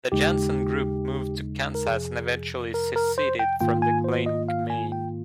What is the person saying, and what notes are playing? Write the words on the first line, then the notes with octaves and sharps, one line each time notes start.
The Jansen group moved to Kansas and eventually seceded from the Kleine Gemeinde.
D#2 C#3 G#3 D#4 G4
A#4
F2 C3 F3 G#4
A#4
A#4
C5
G5
G#2 D#3 A#3 F4 G5
G#5
C5
D#5
F5
G#5
G5